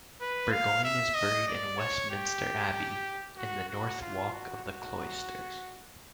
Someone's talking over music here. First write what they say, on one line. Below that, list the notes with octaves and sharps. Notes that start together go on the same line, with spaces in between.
Burgoyne is buried in Westminster Abbey, in the North Walk of the Cloisters.
B4
F5
E5
D#5
D5
C#5
G4
F#4
F#4
F4
F#4
F#4